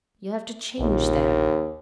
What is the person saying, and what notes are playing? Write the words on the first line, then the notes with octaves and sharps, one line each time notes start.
You have to change there.
A#1 D#2